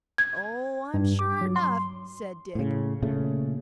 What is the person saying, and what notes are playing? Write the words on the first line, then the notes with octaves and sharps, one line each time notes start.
"Oh, I'm sure enough," said Dick.
G#6
G2
D6
F#3
C6
A2 C#3
A#2 C#3 A3